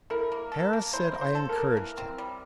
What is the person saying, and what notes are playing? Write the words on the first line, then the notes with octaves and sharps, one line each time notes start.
Harris said I encouraged him.
E4 A#4
A#3
A4
A#3
E4 C5
A#3
C5
A4
A#4
A#3
E3
C4
G3